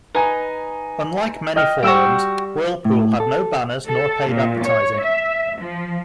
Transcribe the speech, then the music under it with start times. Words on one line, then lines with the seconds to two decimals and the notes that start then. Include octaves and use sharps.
Unlike many forums, Whirlpool had no banners nor paid advertising.
0.15 D#4 B4 G#5 A#5
1.56 D#5 G5 F6
1.83 G3 F#4 G5 E6 E7
2.85 A2
3.20 A4
3.88 A4
4.30 A#2
4.63 C#5
5.02 E5
5.58 F3